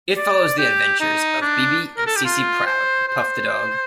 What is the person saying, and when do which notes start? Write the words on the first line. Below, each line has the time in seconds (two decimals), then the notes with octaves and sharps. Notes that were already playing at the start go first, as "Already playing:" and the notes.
It follows the adventures of BeBe and CeCe Proud and Puff the dog.
0.17 D5
0.59 G4
1.00 D#4
1.42 D4
1.98 A#4
2.07 A4
2.16 G4
2.25 F4
2.67 C5
3.08 C5